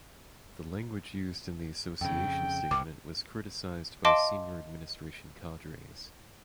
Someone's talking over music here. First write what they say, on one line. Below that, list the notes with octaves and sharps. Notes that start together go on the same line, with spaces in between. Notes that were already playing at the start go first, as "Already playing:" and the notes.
The language used in the association statement was criticised by senior administration cadres.
F2 C#3 G5
C2 D6
D#5 F5 A5 C6 D6 D7